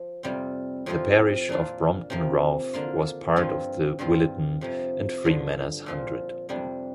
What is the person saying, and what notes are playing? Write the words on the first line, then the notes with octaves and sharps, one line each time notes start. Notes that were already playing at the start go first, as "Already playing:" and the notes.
The parish of Brompton Ralph was part of the Williton and Freemanners Hundred.
Already playing: F3
F2 C3 G3 C4 F4
F2 C3 F3 C4 F4
A#2 A#3 D4 F4
C3 F3 A#3
D3 A#3 F4
G2 F3 C4 F4
G2 F3 C4 F4
F2 C3 F3
G2 D3 F3
A#2 F3 C4 F4
F2 C3 G3 D4